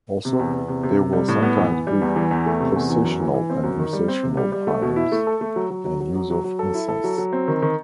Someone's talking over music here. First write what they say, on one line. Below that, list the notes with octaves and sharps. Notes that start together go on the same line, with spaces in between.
Also, there will sometimes be processional and recessional hymns, and use of incense.
C3
E2
E2
C3
C3
C3
G3
A2
B3
E3
E3
G3
E2
E3
E2
A3
C3
E2
E3
F#2
E3
E3
C4
F#2
D#3
G3
C4
C3
G3
G3
A3
B2
E4
A3
A4
A3
F#3
F#3
F#3
F#3
F#3
F#3
F#3
A4
E4
A4
F#3
F#3
C4
D#3
D#3